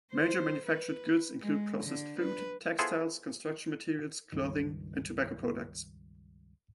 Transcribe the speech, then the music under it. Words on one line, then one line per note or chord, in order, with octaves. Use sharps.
Major manufactured goods include processed food, textiles, construction materials, clothing and tobacco products.
C5
B4
G#3
D3
B4
B3 E4 F4 G#4 A4 C5
C#2 G2 D#3